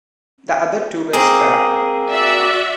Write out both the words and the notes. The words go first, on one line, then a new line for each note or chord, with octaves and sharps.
The other two were scrapped.
G#3 A#3 C4 G#4
F#4 D5 E5